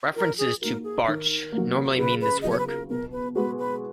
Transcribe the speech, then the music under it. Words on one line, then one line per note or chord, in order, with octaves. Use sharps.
References to "Bartsch" normally mean this work.
F3 A#4
G#4
A#3 D#4 F#4 A#4
G#4
D#3 A#4
A#3
F#3
C#3 B4
B4
F#3 B3 F4 D#5
C#5
B4
A#4
B2 A#4
B4
G#3 B3 F#4 B4
B4